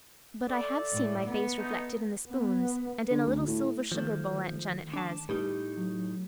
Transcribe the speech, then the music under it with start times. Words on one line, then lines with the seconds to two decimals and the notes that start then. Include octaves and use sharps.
But I have seen my face reflected in the spoons, and in a little silver sugar bowl Aunt Janet has.
0.48 A3 A4 D5
0.93 A2
1.28 B3
1.58 G#3 A3 D#4
2.29 B3
3.11 D3
3.26 D2
3.47 A2
3.92 D#3 F3 A3
4.94 D4 A5
5.29 A2 G3 D#4
5.77 F#3